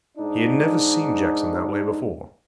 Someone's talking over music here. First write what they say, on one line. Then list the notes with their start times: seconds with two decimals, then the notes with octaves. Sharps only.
He had never seen Jackson that way before.
0.18 G#2 D4 D#4